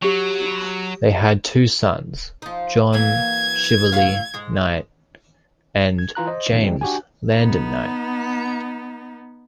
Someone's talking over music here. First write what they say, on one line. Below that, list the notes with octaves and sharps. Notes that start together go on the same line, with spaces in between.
They had two sons, John Shively Knight and James Landon Knight.
F#3 G4 C#6
F3 D#4
E3 F#3 A#3 G#6
A2 C#3 F5
G#2 G#3
G#6
E3 F4 A#5 F#6
C5 D#5
B1 E2 A2 D3
G3 G#3 C4
D4 F#4 G4 G#5
B3 D#4